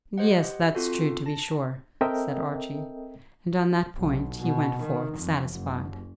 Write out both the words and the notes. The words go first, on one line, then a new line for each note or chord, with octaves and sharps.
"Yes, that's true, to be sure," said Archie; and on that point he went forth satisfied.
G4 C5 D#5 F#5
C4 F4 F#4 A4
A5 A#6
C4 A4 A#4 D#5 E5 G5
B1
B2
D#3
F2
F#1